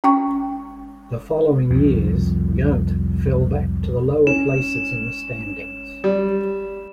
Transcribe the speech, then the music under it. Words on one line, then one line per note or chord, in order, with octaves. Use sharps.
The following years, Ghent fell back to the lower places in the standings.
C#4 G5 C#6
C2 F2
C#4 E7
G3